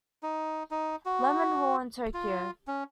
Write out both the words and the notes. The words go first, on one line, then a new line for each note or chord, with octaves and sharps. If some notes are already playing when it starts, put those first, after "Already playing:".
Lemon Hall in Tokyo.
D#4
D#4
F#4
F4
C#4